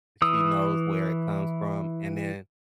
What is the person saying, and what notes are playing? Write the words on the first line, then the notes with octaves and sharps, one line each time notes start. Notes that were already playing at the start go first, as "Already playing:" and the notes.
she knows where it comes from, and then
E3 D#6 E6